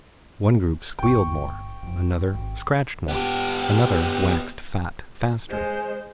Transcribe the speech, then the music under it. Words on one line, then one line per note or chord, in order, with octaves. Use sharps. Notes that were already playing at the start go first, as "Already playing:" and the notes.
One group squealed more; another scratched more; another waxed fat faster.
D1 G1 G5 C#6
F1 F2
G#1
B3 G4
G#3 C5